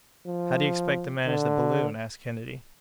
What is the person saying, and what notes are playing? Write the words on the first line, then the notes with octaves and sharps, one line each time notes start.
"How do you expect to manage the balloon?" asked Kennedy.
F3
D3